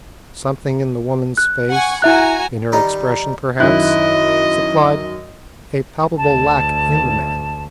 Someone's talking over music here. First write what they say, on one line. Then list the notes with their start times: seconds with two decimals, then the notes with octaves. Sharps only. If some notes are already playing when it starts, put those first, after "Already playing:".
Something in the woman's face, in her expression perhaps, supplied a palpable lack in the man.
1.37 F#6
1.71 F#5 G#5 C#6
2.02 E4 F#4 E5 G#5 A#5 F#6
2.72 D#3 G3 D#4
3.60 F#2 D#3 E4 D#5 F#6
6.18 D2 A5